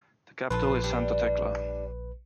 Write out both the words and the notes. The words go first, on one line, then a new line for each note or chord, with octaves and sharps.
The capital is Santa Tecla.
A#1 F4 A4 B4
G3 D4